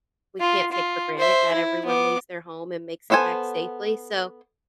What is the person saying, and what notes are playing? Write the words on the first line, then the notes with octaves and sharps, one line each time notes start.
we can't take for granted, not everyone leaves their home and makes it back safely, so,
F4
F4
C5 E5
E4
B3 D6
B3 D4 A4 C5 G#5